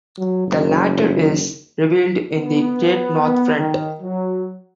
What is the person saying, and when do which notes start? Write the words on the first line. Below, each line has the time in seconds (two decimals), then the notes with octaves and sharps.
The latter is revealed in the great north front.
0.18 F#3
0.47 F#1
2.37 B3
3.53 D#3
4.00 F#3